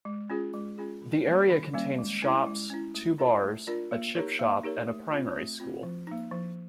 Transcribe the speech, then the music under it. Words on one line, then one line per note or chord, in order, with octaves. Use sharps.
The area contains shops, two bars, a chip shop and a primary school.
G#3
C#4 F4 G#4
G#3
C#4 F4 G#4
D#3
G3 A#3 C#4
D#3
G3 A#3 C#4
G#3
C#4 E4
G#3
C#4 E4
A3
D4 F4 A#4 D5
A3
D4 F4 A#4 D5
A#3
D#4 G4 A#4 C#5
A#3
D#4 G4 A#4 C#5
A3
C4 F4
A3
C4 F4
F3
A#3 D#4
F3